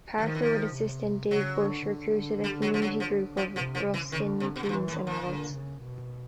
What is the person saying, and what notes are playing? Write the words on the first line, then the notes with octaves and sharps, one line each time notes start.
Parker with assistant Dave Bush recruited a community group of Ruskin teens and adults.
D#3 F#3
F3
E3
F3
C3
C#3 F#3
D3
D3
G3
F#3
F3
F#3
F3
F3
C3 F3
F3
C#3
E3
D3 D#3
C3
B2
A2
A#2 E3
A2
D#3
A#2
D3
C#3
B2